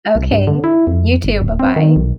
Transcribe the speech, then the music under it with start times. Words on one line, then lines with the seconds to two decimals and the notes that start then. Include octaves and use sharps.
Okay. You too, bye-bye.
0.15 C2
0.31 G2
0.47 D3
0.64 E4
0.87 F2
1.24 G1
1.42 D1
1.59 C4
1.76 D#3
1.96 B1